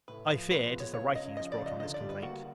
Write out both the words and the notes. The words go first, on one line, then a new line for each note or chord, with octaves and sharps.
I fear, it is the writing has brought on this complaint.
A2 B4
F3
G#3 B4
B3
C#5
C#2 C#5
C#3 D#5
F3 D#5
D5
C#2
D#5
D3 D#5
D5
G3
B4
A#3 F#4